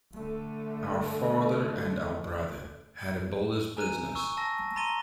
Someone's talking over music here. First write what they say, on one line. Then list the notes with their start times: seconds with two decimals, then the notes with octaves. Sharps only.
Our father and our brother had a builder's business.
0.14 D3 A3
3.77 G#5 A#5 F#6 D#7
4.15 C#6 E6
4.37 A5 E6 A#6
4.76 A#5 C6 A6 D#7 G7